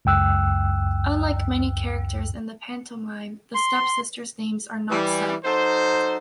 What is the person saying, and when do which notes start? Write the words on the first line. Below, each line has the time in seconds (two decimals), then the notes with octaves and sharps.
Unlike many characters in the pantomime, the stepsisters' names are not set.
0.05 C#2 F#2 G5 E6 F#6
3.55 C6
4.90 E3 G3
5.44 F#3 D#4 A4 C5